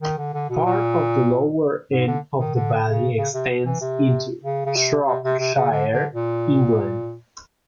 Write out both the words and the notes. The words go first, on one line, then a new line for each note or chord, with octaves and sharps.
Part of the lower end of the valley extends into Shropshire, England.
D#3
D3
D3
B2
A#2
G#2
D3
D#3
D3
C#3
C#3
C3
B2
E3
C3
C#3
C#3
C3
C3
C3
C3
C#3
D3
D3
A#2